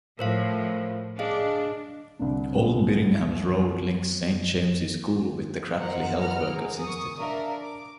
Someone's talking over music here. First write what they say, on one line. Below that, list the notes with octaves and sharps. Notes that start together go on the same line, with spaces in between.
Old Birmingham Road links Saint James's School with the Cradley Heath Workers' Institute.
A2 F3 A#4 C5 F5
D4 G#4 D#5 F5
C2 D3 D4
A#4 C5 D#5 F#5 A#5
B4 F#5 A#5 F6
G#4 A#4
C#6 D#6
D4 A#4 E5 F5
D6